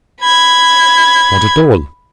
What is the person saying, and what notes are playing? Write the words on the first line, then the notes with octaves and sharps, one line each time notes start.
"Not at all."
B5 G#6